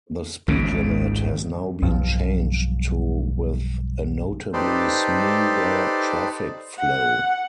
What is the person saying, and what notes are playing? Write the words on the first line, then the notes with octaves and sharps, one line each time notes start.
The speed limit has now been changed to with a notably smoother traffic flow.
G#1 C#2 G#2 C#3
B1 G2 F3
D#4 G4 A4 B4 C5 D5
F#5